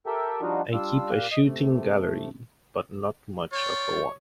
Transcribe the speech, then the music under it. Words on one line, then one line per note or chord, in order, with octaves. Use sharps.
I keep a shooting gallery, but not much of a one.
G4 A4 A#4 E5 G5
F3 G3 D4 D#4 F4 F#4
G3 D4 F4 E6
A#2 G4 F5 F#6
D#5
C3 A3
F4 C#5 D5 G5